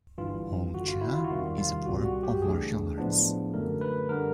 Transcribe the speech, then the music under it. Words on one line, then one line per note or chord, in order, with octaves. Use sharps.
Hung Gar is a form of martial arts.
G1 G2 E3 F4
G1 F#2 D3 F#4
F4
E4
F4
F#4
E2 C3 D#3 G3 F4
F4
C2 A#2 G3 C4 F#4
F#4
G4
C#2 C#3 E3 A3 D4 G#4
A2 F3 G#3 B3 D4
F#2 D3 F#3 A3 A#4
B4
D3 G3 A#4